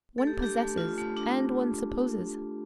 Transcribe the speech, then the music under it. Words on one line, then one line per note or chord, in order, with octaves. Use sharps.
One possesses and one supposes.
A3 A4
G4
D4 G4
A3
F4
A3
D4